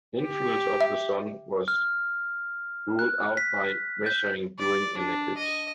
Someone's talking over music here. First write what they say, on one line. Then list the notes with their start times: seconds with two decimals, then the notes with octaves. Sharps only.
Influence of the Sun was ruled out by measuring during an eclipse.
0.22 G4
0.81 E5
1.68 F6
2.99 F#6
3.37 B6
4.06 G6
4.59 D5
4.97 D4
5.37 D#5